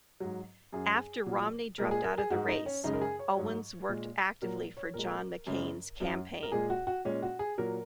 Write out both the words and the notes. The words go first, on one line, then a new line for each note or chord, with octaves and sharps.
After Romney dropped out of the race, Owens worked actively for John McCain's campaign.
G#2 F#3
F#2 F#3 G#4
A#2 F#3
A#2 G#3 A#4
G#4
A#4
G#4
G#2 G#3 F#4
D#4
C#4
F#2 C#3 G#3 D#4
A#4
G#4
C#5
G#2 F#3
A#2 G#3
A#2 F#3 A#4
C#5
A#2 G#3 A#4
F#2 C#3 G#3
F#2 F#3
A#4
A#2 G#3 G#4
F#4
F#4
A#2 G#3 C#4
F#4
G#4
A#2 F#3 A#4